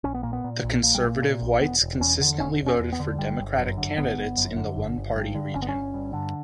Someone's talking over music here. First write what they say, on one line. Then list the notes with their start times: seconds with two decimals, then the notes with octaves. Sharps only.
The conservative whites consistently voted for Democratic candidates in the one-party region.
0.04 A#1 C#4
0.14 B3
0.23 A#2 A#3
0.33 B3
0.44 A#2
0.64 A#1
0.83 A#1 A#3
0.95 G3
1.03 A#2 A#3
1.22 A#2
1.42 A#1
1.61 E1 B3
1.81 E1
2.01 E2 C#4
2.21 D3
2.40 E1 C#4
2.61 E1
2.66 C#4
2.79 E2
2.92 B3
3.00 D3
3.19 G1 G3
3.39 G1
3.58 F#2
3.78 D3
3.97 G1 B3
4.17 G1
4.37 F#2
4.56 D3
4.76 G1
4.96 G1
5.15 G2
5.35 D3
5.55 G1 C#4
5.62 B3
5.69 C#4
5.74 G1
5.94 G2
6.13 D3